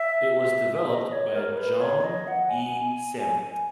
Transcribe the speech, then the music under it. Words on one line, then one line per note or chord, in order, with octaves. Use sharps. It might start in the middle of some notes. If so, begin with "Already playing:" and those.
It was developed by Jean E. Sammet.
Already playing: E5
D#5
C#5
A#4
B4
C#5
D#5
F#5
G#5